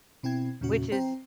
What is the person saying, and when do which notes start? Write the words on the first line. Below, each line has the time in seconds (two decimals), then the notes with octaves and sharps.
Which is
0.23 B2 C4 E4 G5 G#6
0.61 E2 A#2 C#3 C#4 F#4
0.92 C4 C5 G5 A#5